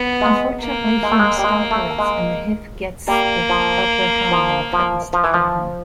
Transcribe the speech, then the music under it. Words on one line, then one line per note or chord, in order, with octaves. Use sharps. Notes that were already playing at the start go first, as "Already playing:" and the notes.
Unfortunately he miscalculates and Lehiff gets the upper hand and threatens to kill him.
Already playing: B3
G#3
A#3
G#3
A3
G#3
G3
G#3
A3
G#3
G3 A#3
F3
F3
F3
F3
E3
F3